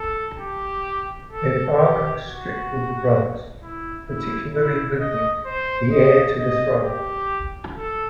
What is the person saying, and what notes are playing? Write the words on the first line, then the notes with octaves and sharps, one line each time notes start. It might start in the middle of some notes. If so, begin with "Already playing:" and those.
Their father was strict with the brothers, particularly Ludwig, the heir to the throne.
Already playing: A4
G4
A4
G4
F#4
E4
E4
E4
D#5
C5
D#5
D#5
G4
A4